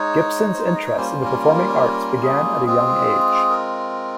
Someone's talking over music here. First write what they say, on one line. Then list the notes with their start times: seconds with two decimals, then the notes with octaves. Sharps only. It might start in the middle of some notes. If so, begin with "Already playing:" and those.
Gibson's interest in the performing arts began at a young age.
Already playing: G#3 D#4 C#5
0.54 C5
0.65 C#5
0.75 D#5
0.86 C#5
0.96 G3 A#3 C#4 F4 C5
1.10 C5
1.24 A#4
2.23 G#4
2.65 G#3 C4 F4 G#4
3.50 A#4